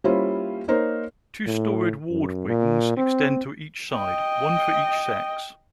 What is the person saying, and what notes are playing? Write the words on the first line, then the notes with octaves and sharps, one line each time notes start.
Two storeyed ward wings extend to each side, one for each sex.
G3 A#3 C#4 E4 F4 C5
A#3 D#4 A#4 C5 C#5
A2
F#2
A#2
C4
D#5 G5